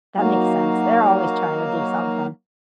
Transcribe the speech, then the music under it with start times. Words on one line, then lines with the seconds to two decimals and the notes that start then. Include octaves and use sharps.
That makes sense. They're always trying to do something.
0.17 F#3 A#3 D#4 F#4 F5